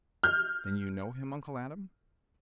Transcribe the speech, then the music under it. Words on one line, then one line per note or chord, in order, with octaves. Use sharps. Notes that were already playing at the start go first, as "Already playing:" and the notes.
Then you know him, Uncle Adam?
F6 G6